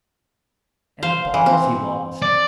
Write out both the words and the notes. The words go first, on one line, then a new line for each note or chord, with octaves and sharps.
And the balls he lost!
C5 F5
E3
C4
D5